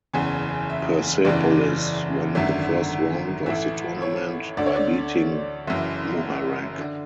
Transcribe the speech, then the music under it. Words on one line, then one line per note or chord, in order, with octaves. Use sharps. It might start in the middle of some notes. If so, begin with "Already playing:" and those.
Persepolis won the first round of the tournament by beating Muharraq.
F#1 E2 C#3 G#5
E5
F#1 E2 C#3 E3 D5
G#1 F#2 D3 E5
A1 A2 E3 E5
C#5
D2 D3 D5
C#5
D5
F#1 F#2 E3 E5
D3